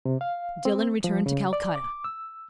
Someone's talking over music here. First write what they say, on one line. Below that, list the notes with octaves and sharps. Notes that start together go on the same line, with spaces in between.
Dillon returned to Calcutta.
C3
F5
C4
F3
C#3
D5
D6
E6